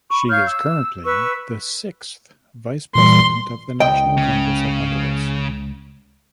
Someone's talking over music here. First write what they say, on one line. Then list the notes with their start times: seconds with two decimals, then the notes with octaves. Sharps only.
She is currently the sixth vice president of the National Congress of Honduras.
0.11 B5 C#6
0.29 C#5 F5 F6 G6
0.47 E6
1.05 B4 C#6 E6
2.95 A#2 E3 G3 C6
3.80 C#2 D#5 G5
4.17 C#3